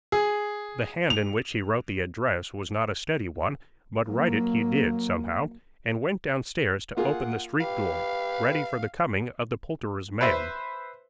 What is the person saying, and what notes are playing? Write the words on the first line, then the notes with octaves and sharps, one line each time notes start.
The hand in which he wrote the address was not a steady one; but write it he did, somehow, and went downstairs to open the street-door, ready for the coming of the poulterer's man.
G#4
F7
F#3 A#3
A#3 F4 G#4 F#5
G4 B4 F5
B4 C5 E5